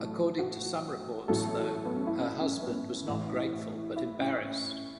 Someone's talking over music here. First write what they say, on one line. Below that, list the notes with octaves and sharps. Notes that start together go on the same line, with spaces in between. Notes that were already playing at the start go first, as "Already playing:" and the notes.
According to some reports, though, her husband was not grateful, but embarrassed.
Already playing: A1 A2 F#3 A4
F#4
A1 A2 F#3 A4
B3
C#4
E4
C#4
C#4
B3
A1 A2 E3
E4
C#4